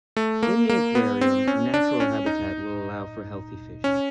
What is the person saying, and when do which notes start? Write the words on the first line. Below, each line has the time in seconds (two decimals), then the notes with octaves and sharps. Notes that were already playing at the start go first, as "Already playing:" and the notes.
In the aquarium, a natural habitat will allow for healthy fish.
0.17 A3
0.43 A#3
0.69 A#3
0.95 B3
1.21 C4
1.48 C#4
1.74 D4
2.00 C#4
2.26 D#4
3.84 C#4